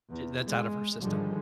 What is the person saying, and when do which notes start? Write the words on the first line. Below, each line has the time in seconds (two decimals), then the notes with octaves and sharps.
and that's out of her system.
0.11 E2
0.48 G#3
0.99 G#2 D3 D#3 F3 G3 G#3